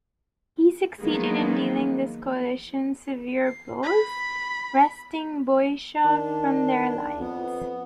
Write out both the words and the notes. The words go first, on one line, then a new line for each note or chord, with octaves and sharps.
He succeeded in dealing this coalition severe blows, wresting Boeotia from their alliance.
D#3 F3 F#3 G#3 A#3 B3
C7
B5
D#3 D4
F2 B3